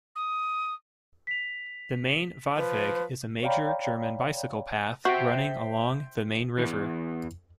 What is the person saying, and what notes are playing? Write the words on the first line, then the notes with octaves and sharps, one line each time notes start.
The Main-Radweg is a major German bicycle path running along the Main River.
D#6
B6 F7
F3 B4
C#5 D5 F5 G5 A#5 B5
F#4 C5 E5 G5
E2 E3